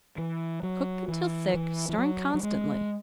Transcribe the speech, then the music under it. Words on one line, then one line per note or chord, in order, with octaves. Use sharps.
Cook until thick, stirring constantly.
E3
F#3
E3
E3
E3
F#3
F#3
G#3